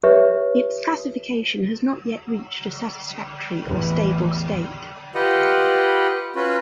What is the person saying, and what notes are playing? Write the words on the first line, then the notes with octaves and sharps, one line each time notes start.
Its classification has not yet reached a satisfactory or stable state.
G4 B4 C#5 E5
A1 E2
F4 G4 B4 D#5 F#5
C#4 F4 F#4 B4